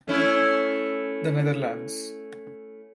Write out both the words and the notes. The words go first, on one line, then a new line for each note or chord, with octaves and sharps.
The Netherlands.
A3 C#4 E4